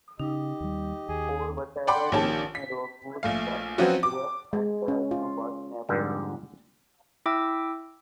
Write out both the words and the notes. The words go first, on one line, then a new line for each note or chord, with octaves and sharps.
For whatever reason Rockwoodz went belly up and the album was never released.
C#3 D#4 G4 D#5
D#2 G3
D#2 G#4
D5 F#5 G5 B5 C6 D6
A#1 D#3 G4 C#5 A5
B6
A#1 A3 F5
F3 F#3 C4 C#4 F4 F#4
D6
G#3
C#4
F4
F2 G#2 D3 G3
E4 E5 G5 D6 E6